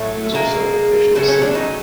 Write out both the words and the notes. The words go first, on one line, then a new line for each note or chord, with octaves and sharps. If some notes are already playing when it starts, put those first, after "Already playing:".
He was also a professional singer.
Already playing: A2 F#3 A3
B2 G#3 A#3
C#3 F#3 A3 C4
C#4
D4
D#4